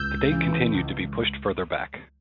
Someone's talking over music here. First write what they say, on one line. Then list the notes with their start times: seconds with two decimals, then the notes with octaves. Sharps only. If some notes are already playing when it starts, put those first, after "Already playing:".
The date continued to be pushed further back.
Already playing: C#2 E6 G6
0.31 C#3 E3
0.74 C#2